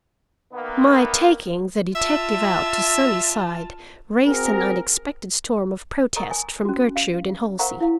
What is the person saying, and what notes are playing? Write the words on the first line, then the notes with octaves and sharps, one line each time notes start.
My taking the detective out to Sunnyside raised an unexpected storm of protest from Gertrude and Halsey.
D#3 A#3 B3
F4 E5 A5
C4 F#4 G#4 A#4
A#4 D#5 A#5 C#6 D#6
G#5
C#4 F#4
F5
A#4 C5 F5 F#5 A#5 C#6
E4 F5